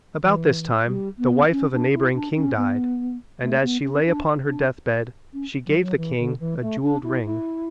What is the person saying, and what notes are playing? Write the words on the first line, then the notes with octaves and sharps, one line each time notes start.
About this time the wife of a neighbouring king died and as she lay upon her death bed she gave the king a jewelled ring.
E3
G3
B3
C#4
D4
E4
D4
C#4
B3
A3
B3
C#4
D4
D4
C#4
F#3
F#3
E3
D3
E3
A3
D4
E4
E4